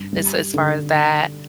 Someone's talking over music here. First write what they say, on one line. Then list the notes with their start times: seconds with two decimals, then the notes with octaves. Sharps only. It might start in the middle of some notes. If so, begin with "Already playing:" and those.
as as far as that.
Already playing: G2
0.13 G3
0.54 D3